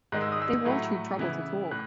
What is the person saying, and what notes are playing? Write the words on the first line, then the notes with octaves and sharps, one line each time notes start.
They were all too troubled to talk.
G#2 D#3 G#3 F#6
E6
D#6
E6
A2 F#3 A3 E4
C#3 E3 B3 E4
A2 F#6